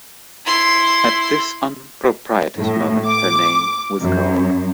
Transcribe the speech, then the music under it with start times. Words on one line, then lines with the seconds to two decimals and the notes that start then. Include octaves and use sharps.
At this unpropitious moment her name was called.
0.46 E4 C6
2.58 A2
3.06 D6
4.00 F#2